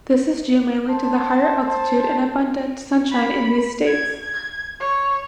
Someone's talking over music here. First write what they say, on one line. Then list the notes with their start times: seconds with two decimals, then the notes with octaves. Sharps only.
This is due mainly to the higher altitude and abundant sunshine in these states.
0.89 C5 A5
3.12 B5
3.87 G#6
4.23 G#6
4.80 C#5